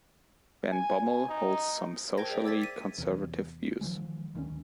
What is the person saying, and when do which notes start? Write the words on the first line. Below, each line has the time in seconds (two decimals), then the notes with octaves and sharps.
Van Bommel holds some socially conservative views.
0.72 G#5
1.29 D#4
2.18 A#4 C5 G5 A5 G#6 A#6
2.29 G#4 C5 D5 E5 G5
2.44 D6 E6 G#6 A6 B6
2.62 B6 D#7
2.98 E2 C3
3.81 D#3 F3 F#3 G#3
4.35 D2 D#3 G#3 C#4